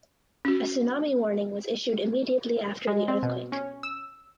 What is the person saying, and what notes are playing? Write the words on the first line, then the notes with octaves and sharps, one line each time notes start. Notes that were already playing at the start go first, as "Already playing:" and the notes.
A tsunami warning was issued immediately after the earthquake.
C#4 F#4
G#3
C4
B2
C#4
E6